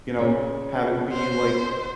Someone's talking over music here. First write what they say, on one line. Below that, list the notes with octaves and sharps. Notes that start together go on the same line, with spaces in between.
you know, have it be, like,
C#3
C5